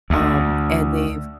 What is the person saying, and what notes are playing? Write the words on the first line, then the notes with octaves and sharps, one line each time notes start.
um, and they've
D2